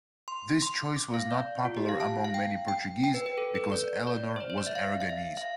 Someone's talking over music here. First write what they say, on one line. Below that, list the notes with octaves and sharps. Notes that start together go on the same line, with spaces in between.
This choice was not popular among many Portuguese, because Eleanor was Aragonese.
C6
C6
D6
F5
D5
F4
G4
F5
A5
F5
G5
G5
G5
B4
B4
A4
B4
D5
D5
C5
D5
C5
D5
E5
F5
F5
E5
F5